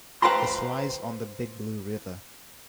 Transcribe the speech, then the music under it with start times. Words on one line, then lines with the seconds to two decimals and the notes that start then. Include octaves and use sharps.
It lies on the Big Blue River.
0.22 B4 C5 F5 G5 A#5 C6